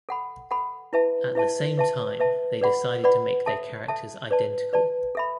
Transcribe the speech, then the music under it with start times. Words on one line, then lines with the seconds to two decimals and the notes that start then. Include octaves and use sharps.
At the same time they decided to make their characters identical.
0.09 A4 F#5 B5
0.51 A4 F#5 B5
0.93 E4 B4 E5 A5
1.35 E4 B4 E5 A5
1.78 B4 E5 A5
2.20 B4 E5 A5
2.61 B4 D5 F#5 B5
3.04 B4 D5 F#5 B5
3.46 A4 E5 A5
3.88 A4 E5 A5
4.31 B4 D5 A5
4.73 B4 D5 A5
5.15 A4 E5 B5